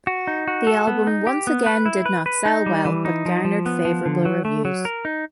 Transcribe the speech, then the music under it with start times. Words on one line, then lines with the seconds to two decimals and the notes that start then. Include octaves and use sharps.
The album once again did not sell well but garnered favorable reviews.
0.07 F#4
0.27 D#4
0.48 F#4
0.67 A4
0.87 B3
1.07 D#4
1.27 G4
1.47 B3
1.66 B4
1.86 E4
2.06 B4
2.26 B4
2.46 D#4
2.66 G3
2.85 E3
3.05 D#4
3.26 F3
3.45 F3
3.66 B3
3.85 F3
4.06 D3
4.25 F#3
4.45 A3
4.65 F#3
4.85 A#4
5.05 D#4